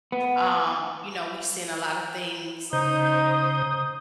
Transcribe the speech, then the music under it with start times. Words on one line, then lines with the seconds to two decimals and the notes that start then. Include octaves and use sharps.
Um, you know, we've seen a lotta things
0.12 B3
2.73 C#3 D#4 C5 D#6 G6